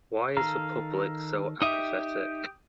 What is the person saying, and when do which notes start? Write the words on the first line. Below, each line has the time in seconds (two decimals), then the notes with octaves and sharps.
Why is the public so apathetic?
0.37 D#3 A4 F5 A#5
1.62 D#4 G4 D#5 E5 D#6